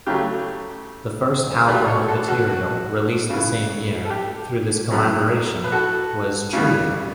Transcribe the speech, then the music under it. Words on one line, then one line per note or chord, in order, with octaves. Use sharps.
The first album of material, released the same year, through this collaboration was "Trio".
C#3 F#3 A3 G4
B2 A3 G4 B4
A4 C#5
F#4 A4
F#4 A4
F#4
C#3 E3 B3
A4
G4
F#2 E3 B3
B4
F#4 A4
C#3 E3 G3 B3